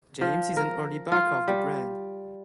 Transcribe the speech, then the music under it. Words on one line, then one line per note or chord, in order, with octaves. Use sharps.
James is an early backer of the brand.
F3
A#4
F4
G3